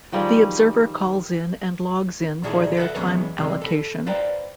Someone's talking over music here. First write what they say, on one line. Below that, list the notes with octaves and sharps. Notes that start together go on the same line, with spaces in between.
The observer calls in and logs in for their time allocation.
D#3 F3 G3 G#4
A#2 D3 D#3 E4 F#4 G#4
A4 B4 C5 E5 F#5
E3 F#3 G#3 B3 C#4
C3 E3 G3 G#3 C4
A4 B5
B4 C5 D5 F5 G5 A#5